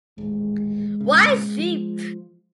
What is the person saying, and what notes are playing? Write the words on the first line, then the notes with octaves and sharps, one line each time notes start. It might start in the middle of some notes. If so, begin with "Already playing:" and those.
Why sheep?
D#1 A1 G#3
A#2 C#3
F3